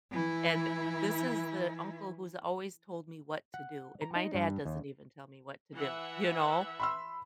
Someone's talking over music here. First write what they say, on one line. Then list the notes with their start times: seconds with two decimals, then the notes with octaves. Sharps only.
And this is the uncle who's always told me what to do, and my dad doesn't even tell me what to do. You know?
0.11 E3 E4
3.54 F#5
4.02 A#5
4.16 D#4
4.34 G2
4.65 D#2
5.76 E3 E5 F#5
6.80 B5 C6 E6